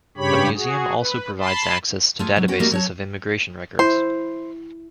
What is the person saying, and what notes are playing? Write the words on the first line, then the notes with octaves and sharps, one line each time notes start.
The museum also provides access to databases of immigration records.
G2 C#3 G4 C#5 B5
F#4 G#4
B4
A5 B5 C6
A3 F4 G#4
C3 F#3
B3 C#4 F#4 G5
G3 A3 A#3 D#4 F#4 G4
F#3 C#5 A5
E4 C5